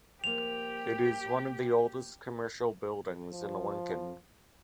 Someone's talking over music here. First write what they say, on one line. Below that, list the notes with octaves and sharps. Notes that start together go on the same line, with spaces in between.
It is "one of the oldest commercial buildings" in Lincoln.
F3 A#3 G4 F7
F3